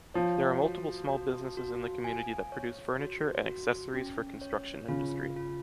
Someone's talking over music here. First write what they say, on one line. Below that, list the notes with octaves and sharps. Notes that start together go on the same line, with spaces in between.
There are multiple small business in the community that produce furniture and accessories for construction industry.
F3 C#5
F#4
F#4
F#4
G#5
C#5
F#4
F#4
C#4
C#5
C#3 F4
F4